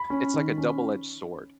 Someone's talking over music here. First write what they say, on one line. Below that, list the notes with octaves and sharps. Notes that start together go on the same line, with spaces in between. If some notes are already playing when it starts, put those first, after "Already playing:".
it's like a double-edged sword,
Already playing: B5
C#4
D#3
C#4